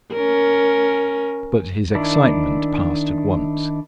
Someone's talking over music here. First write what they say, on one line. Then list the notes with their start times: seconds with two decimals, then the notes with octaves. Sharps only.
But his excitement passed at once.
0.13 C#4 A#4
1.95 D#3 D4 E4